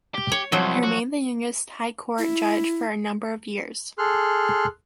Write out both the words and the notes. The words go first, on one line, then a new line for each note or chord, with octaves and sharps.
He remained the youngest High Court judge for a number of years.
G4
C#5
C2 F3 F#3
F#4
E4
G#4 A4 C6 F6 F#6